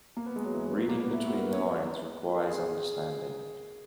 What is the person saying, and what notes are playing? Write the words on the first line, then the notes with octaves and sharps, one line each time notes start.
Reading between the lines requires understanding.
A#3
B3
G#3
F#3
E3
E3
F#3
A#3
B3
E4
F#4
A#4
B4
C#5
B4
A#4
G#4